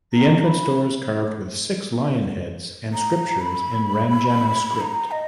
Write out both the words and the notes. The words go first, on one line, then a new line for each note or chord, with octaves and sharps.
The entrance door is carved with six lion heads and scriptures in Ranjana script.
A#5
B5
A#5
B5
A#5
D#5